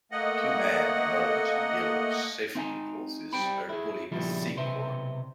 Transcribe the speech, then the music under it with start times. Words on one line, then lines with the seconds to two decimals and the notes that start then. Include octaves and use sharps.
Two men in orange and yellow safety clothes are pulling a thick cord.
0.12 A3 A#3 D#5 F#5
2.55 C4 D#4 F5 F#5 G#5 A#5
3.33 G3 C5 G5 B5
3.69 E4 G#4
4.11 A#2 C#3 F3 G3 E4 F4
4.55 B1 C3 B4 C5 E5